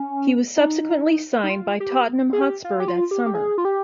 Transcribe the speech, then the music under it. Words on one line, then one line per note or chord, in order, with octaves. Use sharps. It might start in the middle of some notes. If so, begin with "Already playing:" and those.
He was subsequently signed by Tottenham Hotspur that summer.
Already playing: C#4
D#4
D#4
F4
G4
G#4
G4
F4
G4
F4
G4
G4
G#4
F4
G4